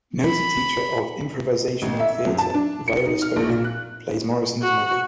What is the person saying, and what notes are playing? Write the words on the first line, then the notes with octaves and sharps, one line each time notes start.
Noted teacher of improvisational theater Viola Spolin plays Morrison's mother.
B5
A1
E5
F#2
A5
D4
C#7
D#4
F6
A#1
A#2
F#6
F#4